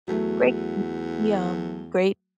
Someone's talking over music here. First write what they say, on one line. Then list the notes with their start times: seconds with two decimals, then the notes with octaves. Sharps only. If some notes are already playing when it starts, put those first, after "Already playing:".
Great, m yum, great
0.08 E2 F#3 A3